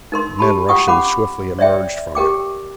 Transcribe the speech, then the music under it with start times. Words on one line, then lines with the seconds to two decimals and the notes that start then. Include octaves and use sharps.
Men rushing swiftly emerged from it.
0.12 D#4 A#4 C6
0.39 G4 A5 B5
0.69 F4 F#5 G5 C#6 D#6
0.87 C#4 F#5 B5 D6
1.59 C#5 D5 E5 G5
2.15 G4 A#4 G5 D6